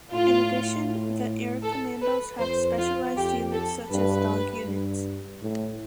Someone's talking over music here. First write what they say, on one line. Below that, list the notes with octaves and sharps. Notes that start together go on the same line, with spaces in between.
In addition the air commandos have specialized units such as dog units.
A2 F4
A4
B4
F2 C5
F4
F2 G4
A4
G2 B4
G2
A2